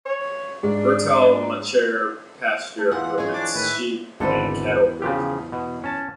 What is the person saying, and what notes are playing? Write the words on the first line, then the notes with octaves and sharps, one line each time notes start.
Fertile machair pasture permits sheep and cattle grazing.
C#5
G#2 D4
A3
E2 E3 F4 F#5
G#3 G#4 C#5
D4 D6
A2 D#3 E4 B4
G#1 E2 D3 A4 B4 C5
C#3 F3 G4
B2
C#4 A5